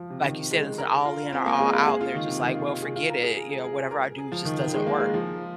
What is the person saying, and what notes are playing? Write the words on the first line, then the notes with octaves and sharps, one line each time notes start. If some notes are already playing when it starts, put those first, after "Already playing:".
Like you said, it's an all-in or all-out, and they're just like, "Well, forget it," you know, "whatever I do just doesn't work."
Already playing: F3
C3
D#3
G#3
A#4
F4
C4
A#3
G#3
A#3
G#4
F4
D#3
C3
D#3
F4
F4
G#4
F4
A#4
G#4
G#4
G#4
G#4
G#4
A#4
G#4
F3
D#3
D#3
G#3
A#3
G#3
F3